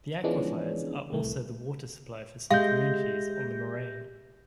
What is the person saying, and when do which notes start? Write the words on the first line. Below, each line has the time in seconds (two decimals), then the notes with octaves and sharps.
The aquifers are also the water supply for some communities on the Moraine.
0.24 E3 F3 G#3 B3 C#4 D4
1.12 C2 A2 A3
2.51 G#3 G4 E5 F5 G6 A#6